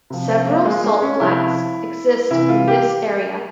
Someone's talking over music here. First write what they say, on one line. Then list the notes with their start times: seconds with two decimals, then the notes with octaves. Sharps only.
Several salt flats exist in this area.
0.10 C3 F3
0.29 C4
0.47 A#3
0.65 G#3
0.84 G#3
1.02 C#4
1.20 C3 F3 E4
2.31 C3 E3 E4
2.49 F4
2.68 G4